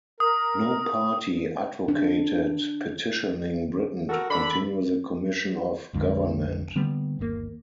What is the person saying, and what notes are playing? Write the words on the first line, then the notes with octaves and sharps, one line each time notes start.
No party advocated petitioning Britain to continue the Commission of Government.
A#4 D#6
D4
F#4 A4 A#4 E6
D3 B5
A#1 F2 D3 G#3
D3 G3 A#3 B3
G1 D#2 B2 A#3